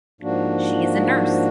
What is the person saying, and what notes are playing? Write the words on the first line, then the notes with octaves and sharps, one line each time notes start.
She is a nurse.
G#2 F3 A#3 D4 F#4